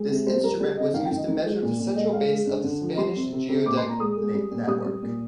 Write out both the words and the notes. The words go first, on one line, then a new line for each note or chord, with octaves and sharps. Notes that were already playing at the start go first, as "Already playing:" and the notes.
This instrument was used to measure the central base of the Spanish geodetic network.
Already playing: G#3
C3
G3 C5
G3 A#4
G3 G#4
C3 D#5
D#3 F5
G5
D#3
D#5
D#3
G#3
A#2
A#2
G#3 D#5
G#3 F5
G#3
D3
D3
F3
G3 C6
C3
C3
C3
A#2 D6
C6
A#2
A#5
G#3 D#6
G#3
G3
A#2
G3 D#6
G3
A#2